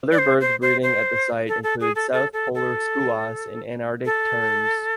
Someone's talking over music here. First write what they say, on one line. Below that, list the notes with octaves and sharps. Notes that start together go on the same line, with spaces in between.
Other birds breeding at the site include south polar skuas and Antarctic terns.
D5
C5
C5
C5
C5
A4
A4
G#4
A4
A4
A4
A4
A4